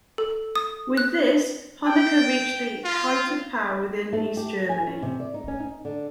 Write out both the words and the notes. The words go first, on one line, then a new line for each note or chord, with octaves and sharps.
With this, Honecker reached the height of power within East Germany.
A4
D#6
F#6
G5
F4
A3
G4
G#5
C#4
C3
D5
D#4
C#4
D#4
D3